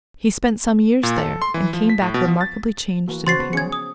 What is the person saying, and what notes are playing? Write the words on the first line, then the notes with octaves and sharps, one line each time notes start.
He spent some years there and came back remarkably changed in appearance.
A#2
A4
C6
E3
F3
B6
A2
B2
F3
A6
E3 A#3 F#4
C#3 F#4 C5 C6 A6 C7
B3
F3 C#4 G#4 G#6 C#7
D#6